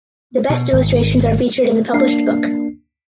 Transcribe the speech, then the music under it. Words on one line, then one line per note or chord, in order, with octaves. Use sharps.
The best illustrations are featured in the published book.
B2
G#1
A#3 D4 C7